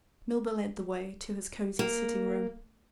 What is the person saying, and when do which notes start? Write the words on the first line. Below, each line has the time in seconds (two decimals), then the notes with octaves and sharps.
Milburgh led the way to his cosy sitting-room.
1.79 A#3